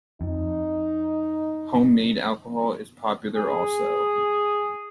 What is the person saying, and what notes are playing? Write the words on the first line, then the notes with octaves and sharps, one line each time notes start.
Homemade alcohol is popular also.
F2 D#4
G#4